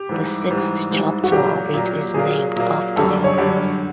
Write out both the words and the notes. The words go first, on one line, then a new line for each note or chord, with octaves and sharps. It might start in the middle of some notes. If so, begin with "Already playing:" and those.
The sixth chapter of it is named after her.
Already playing: G4
G#2 E3 G3
G#2 E3 G3
G#2 E3 G3
F#4
A#2 F#3 A#3 G4
A#2 F#3 A#3
A#2 F#3 A#3 G#4
A#2 F#3 A#3
F#2 D3 G3 A4
D5
C#5
F#2 D3 G3 D5